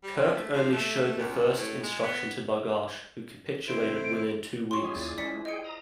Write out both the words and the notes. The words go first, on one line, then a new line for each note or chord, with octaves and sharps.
Kirk only showed the first instruction to Barghash, who capitulated within two weeks.
G3
C4
A3
F3
A3
C#2
A2
G#3
B3
C3 D#3 E4 A4 C5 D7
C#4 F4 G4 C6 C#6
F#3 G#3 G#4 E5 G#5
D#2 E4 F4 G#4 D5 A6
G#3 C#4 E4 B4 C5 D5 B6 C#7
G#4 D#5 F5 G5 C#7
A#5 D#6